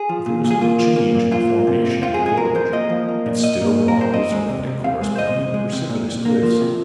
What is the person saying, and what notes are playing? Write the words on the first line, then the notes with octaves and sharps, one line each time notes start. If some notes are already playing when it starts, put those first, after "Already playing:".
There was little change in the formation of the gorge; it still wound its erratic course between precipitous cliffs.
Already playing: G#4
F3
A#2
A#2
G#4
A#3 F4
F3
A#3
A#2
A#2 F4
A#3
C3
C3
C4 F4
G#4
G#3
G#4
F2 A#4
F2 C5
A#3 D#5
F3
A#3
A#2
A#2 D#5
A#3
A#2
A#4
A#2 C5
C4 D#5
G#3
C3
C3
C4 F5
G#3
C5
F2 D#5
F2
G#3
C3
A#2
A#2
A#3
F3
C3